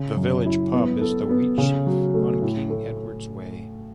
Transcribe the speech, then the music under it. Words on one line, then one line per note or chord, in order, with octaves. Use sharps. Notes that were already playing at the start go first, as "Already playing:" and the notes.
The village pub is the Wheatsheaf on King Edward's Way.
Already playing: C#3
F#2
E4
B3
A4
B3
C#3
F#3
A3
A2
A3